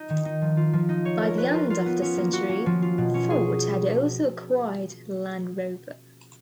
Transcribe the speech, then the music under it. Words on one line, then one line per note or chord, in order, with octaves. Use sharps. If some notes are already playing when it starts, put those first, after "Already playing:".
By the end of the century, Ford had also acquired Land Rover.
Already playing: D#4
D#3
D#4
F3
F4
F3
D#4
C#5
A#4
B4
F4
F4
B3
C#4
A#3
F#4
C#4
F3
F4
B2
C#4
G#4